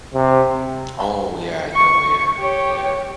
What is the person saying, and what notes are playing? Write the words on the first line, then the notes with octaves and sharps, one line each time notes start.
Oh, yeah, no, yeah. Yeah.
C3
C#6
G4 C#5